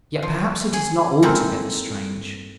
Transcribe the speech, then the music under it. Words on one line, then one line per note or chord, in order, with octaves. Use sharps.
Yet, perhaps, it is not altogether strange.
F3
G#4
G#3 A#3 C4 D#4 E4 A4